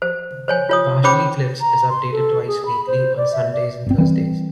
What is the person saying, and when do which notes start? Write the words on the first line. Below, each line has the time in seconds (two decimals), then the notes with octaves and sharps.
"PartiallyClips" is updated twice weekly, on Sundays and Thursdays.
0.02 C5
0.48 C5 C#5 G#5
0.69 F4 C#5 D#6
1.04 C#4 C5 C#5 G5 B5 D6
1.61 A#5
1.89 C6
2.12 A4
2.47 G#4
2.66 B5
2.87 C5
3.17 D5
3.32 E5
3.52 D5
3.86 G1 C4
3.98 E3 G3 C4